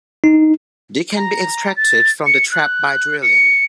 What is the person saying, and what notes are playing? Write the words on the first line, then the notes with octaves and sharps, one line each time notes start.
They can be extracted from the trap by drilling.
D#4
A#5
A6
C#7
F#6
C#7